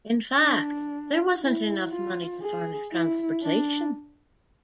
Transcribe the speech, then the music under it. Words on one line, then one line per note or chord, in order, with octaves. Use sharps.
In fact, there wasn't enough money to furnish transportation.
D4
E4
F4
G#4
E4
D4